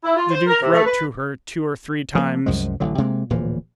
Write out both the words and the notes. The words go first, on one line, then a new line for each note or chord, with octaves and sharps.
The duke wrote to her two or three times.
E4
F4
C5
A#4
C3
A3
B4
F3 G#3 A#3
C2 F#2 F3 G#3
A1 D3 F#3
C3 G#3 A#3
D1 A#2 E3 F3